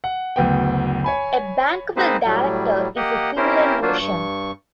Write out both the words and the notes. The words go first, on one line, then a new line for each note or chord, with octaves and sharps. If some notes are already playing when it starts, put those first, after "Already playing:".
A bankable director is a similar notion.
F#5
F#1 D2 B3 G5
C#5 G#5 B5
G#3 A#3 C4 D#4 B4 C5
A2 F#3 G3
A#3 G4 D#5 F#5
C4 C#4 E4 G4 A#4 C5
F#3 A#3 D4 F4 F#4 C5
G2 C#6